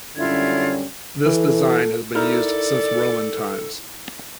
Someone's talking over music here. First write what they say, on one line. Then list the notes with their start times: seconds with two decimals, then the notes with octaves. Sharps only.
This design has been used since Roman times.
0.17 F#2 D3 G3 C#4 E4 F4 G#6
1.26 E3 A4
2.15 D#4 E4 A4 A#4 D5